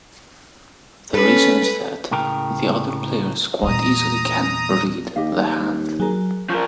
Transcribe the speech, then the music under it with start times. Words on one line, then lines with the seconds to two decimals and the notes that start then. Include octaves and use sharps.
The reason is that the other players quite easily can "read" the hand.
1.14 C#4 A4 B4
2.11 C#2 A2 C#3 A#4 G5 A5
3.63 E2 A#2 A#5 D#6
5.16 D#2 G4 D#5 F5
6.00 F#3 G#4 A#4
6.50 F3 C#4 A#4 F5 C#6 G6